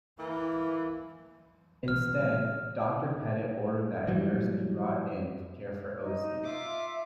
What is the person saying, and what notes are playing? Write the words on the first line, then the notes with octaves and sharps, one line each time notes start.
Instead, Doctor Pettit ordered that a nurse be brought in to care for Ocey.
E3 A#3
A#1 E3 B3 F6
A#2 E3 G3
G#2 E3 F#3 G3
D#4
F4 E5 D6